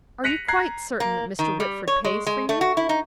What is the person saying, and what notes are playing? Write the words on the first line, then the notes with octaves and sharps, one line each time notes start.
"Are you quite certain that Mr. Whitford pays for you."
F#6 A#6 B6 C#7 D#7 F7
A#5 F#6 G#6 C7
A#3
D#3
G3
C#5
G#3
G#3
A3
F#4
E4
D#4